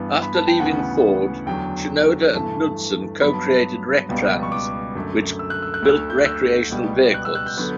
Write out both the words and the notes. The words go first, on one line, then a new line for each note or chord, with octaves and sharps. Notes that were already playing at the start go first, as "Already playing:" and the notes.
After leaving Ford, Shinoda and Knudsen co-created Rectrans, which built recreational vehicles.
Already playing: G2 E3 B3
B5
A5
G5
D2 C#3 E3 B3 F#5
E2 D3 F#3 A3 G5
G2 E3 A3 A5
G2 F#3 B3 B5
A5
B5
C#2 B2 G3 B3
C#6
D6
F#2 D3 A3
E6
F#6
E6
F#6
D2 D3 A3 E6
G6
F#6
E6
C#2 B2 G3 B3
F#6
E6
F#6
G6
D3 F#3 B3 F#6